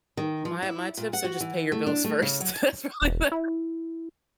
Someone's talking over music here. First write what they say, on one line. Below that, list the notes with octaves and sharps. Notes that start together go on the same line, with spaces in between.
My My tips are just pay your bills first. That's probably the
D#3
F3
E4
A#2
F#5
F#4
E3
A3
D4
A3
C#3
F#3
E1
E4